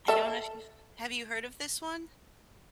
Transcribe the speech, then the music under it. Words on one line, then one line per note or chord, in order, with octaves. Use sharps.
I don't know if you've have you heard of this one?
A4 E5